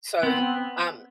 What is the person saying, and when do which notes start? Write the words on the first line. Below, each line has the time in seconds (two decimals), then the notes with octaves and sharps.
So, um,
0.23 B3 C4
0.40 C4